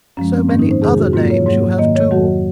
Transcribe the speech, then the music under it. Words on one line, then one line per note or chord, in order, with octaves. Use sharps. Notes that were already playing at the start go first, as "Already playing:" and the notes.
So many other names you have, too.
F#2 F3 G#3 C#4
C4
G#2 D#3 A#3 C#4
D#4
C5
F2 C3 D#3 G#3 G#4
F#4
G#2 F#3 A#3 F4
C#5
G#2 F#3 A#3 C#5
G#2 D#3 A#3 D#5
C#5
F2 D#3 F#3 F#4